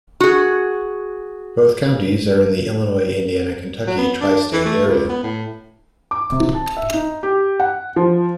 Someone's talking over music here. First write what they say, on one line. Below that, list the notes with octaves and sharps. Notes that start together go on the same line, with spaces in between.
Both Counties are in the Illinois-Indiana-Kentucky Tri-State Area.
F#4 G#4
F#3
B3
D4
E3
A3
C#2
B3
A2
D6
C3
A5
E5
D#4
G4
F#5
F3